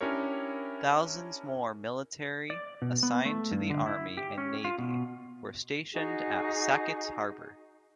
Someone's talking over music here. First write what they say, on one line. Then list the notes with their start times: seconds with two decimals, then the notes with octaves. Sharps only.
Thousands more military assigned to the Army and Navy were stationed at Sackets Harbor.
0.01 C#4 D4 E4 G4 A#4 C#5
2.50 D5
2.82 B2
3.03 B3
3.25 A3
3.51 G2
3.70 D3
3.86 E4
4.17 G4
4.38 C#4
4.65 F4
4.78 B2
5.92 D#4 F#4 G#4